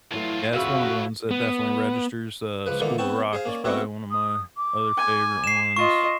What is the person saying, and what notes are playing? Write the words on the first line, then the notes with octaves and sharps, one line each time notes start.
Yeah, it's one of the ones that definitely registers. Uh, School of Rock is probably one of my other favorite ones.
A2 E3 F#3 A3 F4
F2 A2 C#3 F#4 B4 E5 F5 E6
B3
C#2 F3 B4
A#2 D3 E3 A#3 D#4
B3 C4 G5 A5 C#6
G#4 C5 F5
A#3 C#4 D5
A3 B3 C4 E4 F#4
D#6
D6
G#5
C7 E7
F4 D#5 C#6